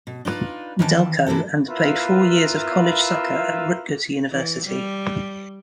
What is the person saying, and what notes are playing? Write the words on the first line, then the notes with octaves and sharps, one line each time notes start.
Delco, and played four years of college soccer at Rutgers University.
B2
D4 D#4 F4 B4
D#3 E3 E5 A5
E3 A#3 E4 F#4 A4
E4 F4 A#4 B4 E5 F5
E3
G3